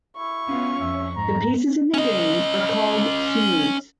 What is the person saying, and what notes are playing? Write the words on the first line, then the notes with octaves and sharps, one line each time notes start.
The pieces in the game are called "Snoods".
E4 C#6
B3 C#4 F4
F2 E5
G#2 A#5
C#4 D#5